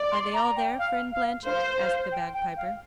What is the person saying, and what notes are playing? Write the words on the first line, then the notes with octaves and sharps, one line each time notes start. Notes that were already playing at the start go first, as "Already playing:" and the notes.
'Are they all there, friend Blanchet?' asked the bagpiper.
Already playing: D5
C6
A#5
G5
F5
F5
C5 F5
F5
G5
G5
F5